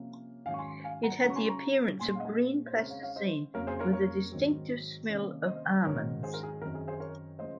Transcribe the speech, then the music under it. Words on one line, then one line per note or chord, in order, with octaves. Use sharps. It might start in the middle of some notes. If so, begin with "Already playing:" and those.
It had the appearance of green plasticine with a distinctive smell of almonds.
Already playing: C3 F3 A#3 C#4
G#2 D#3 F#3 C#4 F5 G#5
C#6
G#5 C6
F5 G#5
F#5 A#5
C#3 F#3 C#4 F#5 A#5
C#6
G#5 C6
A#5 C#6
A#2 G#3 C#4 G#5 C6
F5
D#5 F#5
C5
C#3 G#3 C4 A#4 C#5
C#5 F5
C#5 F5
C5 D#5
F2 C#3 F#3 A#3 A#4 C#5
G#4 C5
A#4 C#5
A#4 C#5
G#2 D#3 F#3 C4
C3 D#3 A#3 C#4
C5 D#5
G#2 D#3 F#3 C#4 A#4 C#5
G#4 C5
A#4
G#4
F#2 D#3 F#3 C4 A#4
G#4
G#4 C5
A#4 C#5
C#3 F3 G#3 C#4 C5 D#5